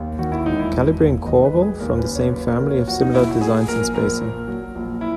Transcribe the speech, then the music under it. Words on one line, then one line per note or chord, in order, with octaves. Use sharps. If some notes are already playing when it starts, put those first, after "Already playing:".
Calibri and Corbel, from the same family, have similar designs and spacing.
Already playing: D#2
D#3 F#4
E4
E1 D#4
E4
E1
D#2
D#3 D#5
B4
E1
G#4
D#2 A#4
B4
C#3
C#5
F#3 B4
A#4
D#2
C#5
A#1 F#4
D#4
A#2 E4
F#4
F#3 G#4
A#1 A#4
A#1 A#4
A#2
F#3
A#1
E4